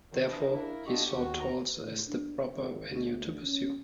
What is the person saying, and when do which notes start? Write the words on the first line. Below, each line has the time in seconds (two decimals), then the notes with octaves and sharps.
Therefore, he saw tolls as the proper venue to pursue.
0.11 F#2 D#3
0.27 E3 F3 D4 D#5
0.54 A#3 E4 A#4
0.86 D3 D4 F4 G4 D#5 C#6
1.10 D#2 D#3 F#4
1.40 A#5
1.77 A2
2.08 D4
2.55 G#1
2.89 D2
3.42 C#4